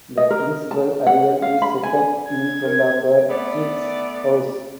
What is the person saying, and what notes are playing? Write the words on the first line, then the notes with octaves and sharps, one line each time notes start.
The principal idol is set up in front of the chief's house.
D#5
A#4
A5
F#5
F5
B5
G#5
G#6
A#4
A3 B3 D5